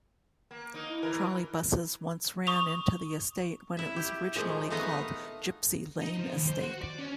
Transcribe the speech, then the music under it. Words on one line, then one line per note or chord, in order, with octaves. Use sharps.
Trolleybuses once ran into the estate when it was originally called Gypsy Lane Estate.
A#3
A#3 D#4
E4
E3 A#4
C#6 D#6 F7
E4 E5
G4
A#2 F3 G#3 A3
A3 B3 D#4 D#5 F5
D#4
F3
D#2
C5
F#4
D5
C#4